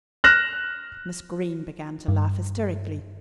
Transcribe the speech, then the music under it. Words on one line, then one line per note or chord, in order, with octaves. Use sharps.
Miss Greene began to laugh hysterically.
F6 F#6 A#6 E7
G2